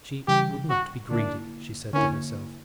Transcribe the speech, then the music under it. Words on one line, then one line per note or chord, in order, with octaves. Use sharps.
She would not be greedy, she said to herself.
C#3 E3 G3 G4
F#4
D3 A#3 D4 E4
D3 A#3 C#4 E4